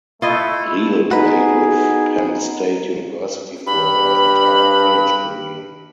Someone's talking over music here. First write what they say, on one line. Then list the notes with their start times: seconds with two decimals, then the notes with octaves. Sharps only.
Riehl played with Penn State University for her entire college career.
0.22 A3 E4 F4 D#5
1.11 B3 D#4 F#4 G#4 B4
3.67 G2 B5